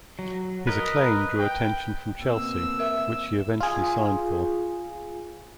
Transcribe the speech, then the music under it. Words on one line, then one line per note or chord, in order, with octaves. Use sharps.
His acclaim drew attention from Chelsea which he eventually signed for.
F#3
A#4 B4 D#5
G5
B2 A#3 C4 E6
A#4 E5
F4 G#4